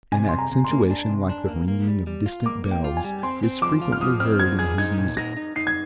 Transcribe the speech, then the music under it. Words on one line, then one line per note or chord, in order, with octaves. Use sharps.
An accentuation like the ringing of distant bells is frequently heard in his music.
C3 G#5
C3 C6
A#5
C3
C6
A#3
D4
C3
D4
A#3
A#3
G3
G3
F4
A#3 D6
A#3
G5
F4
G#5
G3
C4 C6
C4
F3 D6
F4
F6
F3 D#6
C4 F6
F3 G#6
G#4 G#6
D#4 G#6
A#2
D#4 A#6
D#4
D#4 C7
G#6